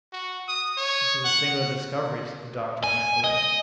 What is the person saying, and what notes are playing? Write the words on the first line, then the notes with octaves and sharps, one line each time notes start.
"This is a singular discovery!" said the doctor, mentally.
F#4
D#6
C#5
F#5
G#5
D#5